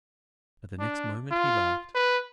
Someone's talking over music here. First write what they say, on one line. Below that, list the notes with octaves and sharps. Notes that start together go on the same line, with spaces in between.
But the next moment he laughed.
D4
F4
B4